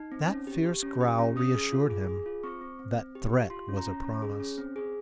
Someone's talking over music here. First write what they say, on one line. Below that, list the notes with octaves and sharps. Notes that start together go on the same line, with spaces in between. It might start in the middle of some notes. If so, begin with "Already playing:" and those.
That fierce growl reassured him; that threat was a promise.
Already playing: D#4
C4
C#4
G4
G4
C#4
G4
C#4
C#4 D#6
G#4
F4
G#4
G#4
F4
C4 C#6
C4
C4
C4
G4
G4
F4 C6
C#4
A#5
C#4
C#4
G#4
C#4
C4
G#4